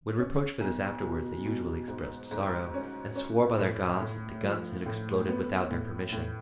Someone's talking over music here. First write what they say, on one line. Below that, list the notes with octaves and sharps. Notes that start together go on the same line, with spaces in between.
When reproached for this afterward, they usually expressed sorrow, and swore by their gods that the guns had exploded without their permission.
C#4
B1
B2
B2
G#2
G#2
C#4
C#4
A2
A2
F3
A2
B3
A2
A2